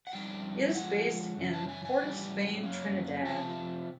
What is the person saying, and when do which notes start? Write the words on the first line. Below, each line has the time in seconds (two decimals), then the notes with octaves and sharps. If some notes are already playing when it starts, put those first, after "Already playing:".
It is based in Port of Spain, Trinidad.
0.07 F#5
0.12 F2 D3 G3 D#4 G5
0.75 D3 F3 G#3 F#5
1.37 F#2 C#3 E3
1.53 A5
1.69 G#5
1.85 G#5
2.00 A2 E3 G3
2.63 F#2 D#3 F#3 A#3 C#4
3.25 C3 F3 A3 C4 A5